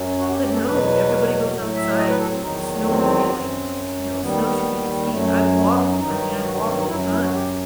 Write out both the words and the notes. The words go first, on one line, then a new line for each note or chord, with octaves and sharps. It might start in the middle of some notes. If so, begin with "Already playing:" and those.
But no, everybody goes outside, snowmobiling, you know, snowshoeing, skiing. I walk I mean, I walked a ton.
Already playing: F#2 F#3
F#4
G4
G4
A4
E2 B2 F#3 B4
A2 F#3
E5
D#5
B4
A4
C4
E2 D#3 F#3 D#4
C4
F#2 F#3
D#2 D#3 G3 B3
F#2 F#3 A3
A3
B3
B3
D#4
G2 D#3 F#3 D#4
F#4
D#4
C4
D#4
F#2 F#3 E4
E4
F#4
G4